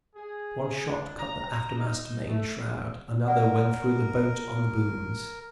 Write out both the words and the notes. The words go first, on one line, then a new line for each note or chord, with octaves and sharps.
One shot cut the aftermost main-shroud; another went through the boat on the booms.
G#4
D4
A#5
D#4
A3
A#4 D5 F#5